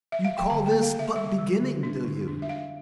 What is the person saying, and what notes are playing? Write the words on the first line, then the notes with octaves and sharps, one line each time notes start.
You call this but beginning, do you?
E5
F5
G5
D3 A5
G5
A#3
F5
A#3 E5
G3 E5
G3
D3
D4
D3
D4
E5
D4 F5